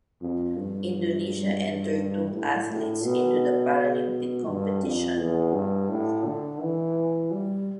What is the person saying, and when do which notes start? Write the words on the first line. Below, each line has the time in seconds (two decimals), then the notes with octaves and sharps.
Indonesia entered two athletes into the Paralympic competition.
0.21 F2
0.56 G2
2.34 A2
2.69 A2
3.04 B2
4.47 G2
4.83 F2
5.18 E2
5.53 G2
5.89 A2
6.24 D3
6.60 E3
7.31 G3